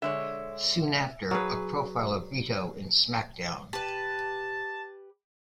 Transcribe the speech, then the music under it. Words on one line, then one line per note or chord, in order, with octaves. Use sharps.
Soon after, a profile of Vito in SmackDown!
D3 G#3 C#5 E5
F#3 G#4 B4
G4 B4 A5